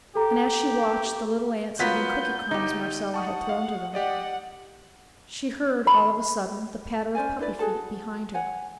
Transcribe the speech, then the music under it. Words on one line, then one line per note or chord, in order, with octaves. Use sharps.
And as she watched the little ants eating cookie crumbs Marcella had thrown to them, she heard all of a sudden the patter of puppy feet behind her.
G4 A4 A#5
F#3 A#3 B3 F4 F#5 G6 B6
G1 D#4 G4
F#5 A5 C#6 D#6
F5
G4 D5 D#5 F#5
B5
C#4 C5 D5 G#5
D4 E4 B4 D5
F#4 G#4 A4 A5
C#5 F#5 G#5